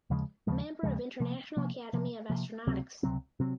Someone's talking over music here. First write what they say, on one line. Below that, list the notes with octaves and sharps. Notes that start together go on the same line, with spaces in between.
Member of International Academy of Astronautics.
D#2 C#3 F3 G#3
D#2 C#3 F3 G#3
D#2 C#3 F3 G#3
C3 F3 A#3
C3 F3 A#3
C3 F3 A#3
C3 F3 A#3
C#2 C3 F#3 C4
C#2 C3 F#3 C4
C3 F#3 C4